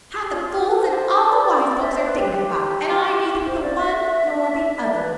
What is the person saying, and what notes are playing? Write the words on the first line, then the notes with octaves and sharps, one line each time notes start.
"Half the fools and all the wise folks are dignified, and I'm neither the one nor the other."
G4
F4
F4
G4
B4
C5
D5
E5
C5
B4
G4
G4
C5
D5
E5
D5
B4